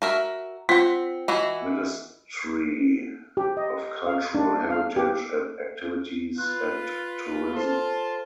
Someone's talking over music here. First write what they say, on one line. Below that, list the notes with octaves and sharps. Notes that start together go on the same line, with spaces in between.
Ministry of Cultural Heritage and Activities and Tourism.
F#4 A#4 E5
C4 F4 F#5
E3 E4 F#4 D#5
G4
D#5
F5
D4
F5
G4
F4 B4 F#6
F4 A4 C5 A5 C6